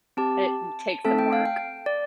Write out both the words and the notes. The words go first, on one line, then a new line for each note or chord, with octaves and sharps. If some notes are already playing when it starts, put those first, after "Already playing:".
It takes some work.
C4 G4 A5
A3 C4 A4 A5
G5
F5
G5
D5